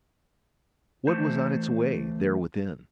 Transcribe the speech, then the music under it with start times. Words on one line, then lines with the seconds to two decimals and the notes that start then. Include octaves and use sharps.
What was on its way there within?
1.07 E3 A3 C5